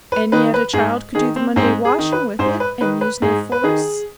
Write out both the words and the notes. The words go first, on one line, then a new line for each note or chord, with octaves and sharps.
"And yet a child could do the Monday washing with it and use no force."
B4
D#3 B4
B4
G#2 G#4
D#3 G#4
C4
G#2 C4
G#4
D#3
B4
G#2 C5
B4
D#3 B4
B4
G#2 G#4
B4
D#3 G#4